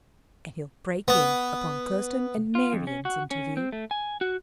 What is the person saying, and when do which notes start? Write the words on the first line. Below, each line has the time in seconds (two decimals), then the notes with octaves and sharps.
And he'll break in upon Thurston and Marian's interview.
1.08 B3
2.55 F4
2.73 F2
2.87 C#4
3.05 F#4
3.31 C#4
3.57 C4
3.72 A3
3.91 G#5
4.21 F#4